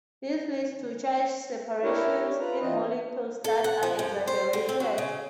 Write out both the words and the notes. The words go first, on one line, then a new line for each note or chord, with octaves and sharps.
This leads to charge separations in molecules that are exaggerated.
D4 E4 G4 A#4 C#5
F4 B4 A#5
E3 C4 D4 F4 D#5
A4
F#5
F3
F#2
C5
D3
C4
F#4
C#3